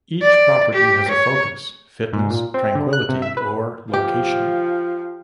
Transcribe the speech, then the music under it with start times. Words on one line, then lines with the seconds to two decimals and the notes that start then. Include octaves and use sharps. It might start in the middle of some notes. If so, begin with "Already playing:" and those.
Each property has a focus: fitness, tranquility, or location.
0.21 D5
0.74 G4
1.09 C#5
2.13 G#2
2.30 A#2
2.54 C4
2.75 D3
2.93 F#6
3.09 C3
3.22 E5
3.37 B4
3.93 F3 G4